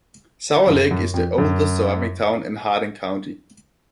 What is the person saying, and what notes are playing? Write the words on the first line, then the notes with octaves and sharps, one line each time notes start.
Sour Lake is the oldest surviving town in Hardin County.
F#2
F#2
F2
F#2